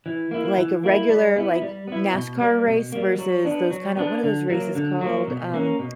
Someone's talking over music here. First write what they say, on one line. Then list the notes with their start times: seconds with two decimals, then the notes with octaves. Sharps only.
like, a regular, like, NASCAR race versus those kinda what are those races called, um,
0.06 E3
0.31 A#3 E4
0.58 E3
0.84 A#3 E4
1.09 G3
1.36 B3 E4
1.62 G3
1.88 B3 E4
2.14 B2
2.40 G3 A#3
2.67 B2
2.92 G3 A#3
3.19 F#3
3.45 B3 D4
3.70 F#3
3.97 B3 D4
4.23 D3
4.50 F#3 A#3
4.75 D3
5.01 F#3 A#3
5.27 B2
5.54 A#3 C#4
5.79 B2